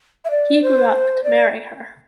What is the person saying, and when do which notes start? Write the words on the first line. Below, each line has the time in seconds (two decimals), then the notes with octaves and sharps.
He grew up to marry her.
0.25 E5
0.31 D5
0.62 C5
1.24 D5